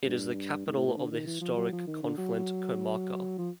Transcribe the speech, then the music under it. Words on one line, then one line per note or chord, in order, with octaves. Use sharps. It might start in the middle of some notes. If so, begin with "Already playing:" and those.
It is the capital of the historical Conflent comarca.
G2
G#2
A2
A2
D3
D#3
E3
F3
F#3
F3
D#3
D3
F#3
F3